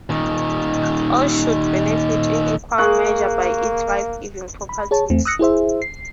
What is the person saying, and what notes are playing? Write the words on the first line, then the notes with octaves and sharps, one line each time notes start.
All should benefit in equal measure by its life-giving properties.
A#2 D#3
A#3 G#4 C#6 F#6
B5
G#4 C#5 A5
E2 A3 C4
D#6 E6 F#6 A#6 C#7
E4 G#4 C5 E5
C7